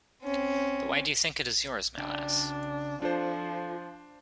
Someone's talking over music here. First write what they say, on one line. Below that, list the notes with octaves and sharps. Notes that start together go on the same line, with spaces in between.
But why do you think it is yours, my lass?
C4 C#4
C#3 D4 D5 G5
F3 D4 F4 A4 C5